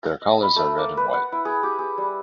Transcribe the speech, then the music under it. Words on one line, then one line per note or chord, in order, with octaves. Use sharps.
Their colors are red and white.
D#5
B5
A3
A#3
B4
F#5
E4
G#4
G4
G#4
G3